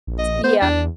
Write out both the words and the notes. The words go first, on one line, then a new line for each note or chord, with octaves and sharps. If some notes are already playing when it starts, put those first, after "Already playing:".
S yeah,
A#1
D#5
B3 C5
E2 D4